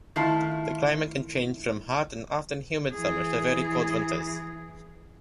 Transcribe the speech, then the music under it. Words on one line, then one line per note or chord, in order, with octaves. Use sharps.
The climate can range from hot and often humid summers to very cold winters.
D#3 A3 E4 F4 A5
E3 G#4